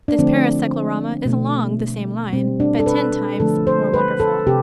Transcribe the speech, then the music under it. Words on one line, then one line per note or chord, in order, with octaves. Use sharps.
This Paris cyclorama is along the same line, but ten times more wonderful.
D4
D3 F3 A3 C4
B2 A3
B2 G3 C4
D4
A4
B4
D3 F3 A3 A4
C5
B4
A4
C3 G4